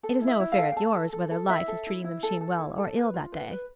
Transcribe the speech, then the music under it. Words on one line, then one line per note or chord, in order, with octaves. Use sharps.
It is no affair of yours whether life is treating the machine well or ill that day.
A4
E4
E5
E4
F5
A4
G5
A4 A5
A4
A4
A4
E4 E5
A4
E4
E4
A4
A4
E4
A4
B4
F4
B4
B4